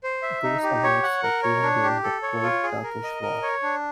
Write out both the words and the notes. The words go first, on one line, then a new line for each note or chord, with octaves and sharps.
Those awards were given during the Great Turkish War.
C5
E5
D#4
G4
C#5
F#5
A#4
C#5
D4
G4
A4
C#5
F4
G#4
A#4
D#5
A#4
C#5
D4